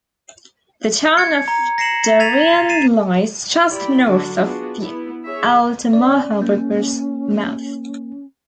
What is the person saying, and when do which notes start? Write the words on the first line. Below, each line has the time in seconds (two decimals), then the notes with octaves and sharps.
The town of Darien lies just north of the Altamaha River's mouth.
1.17 G#6 C#7
1.48 A#5
1.78 A#6 C7 C#7 E7 F#7
2.20 G#6 A6 B6 D#7 F7
2.69 A6 C7 D#7 E7
3.68 E4 G4 D5 B5
4.07 D3 F#3 D4 F#4
4.41 B3 D4 F4 F#4 G#4
4.79 B3 E4
5.25 G#4 C#5 E5
5.93 C#4 D5
6.42 A#3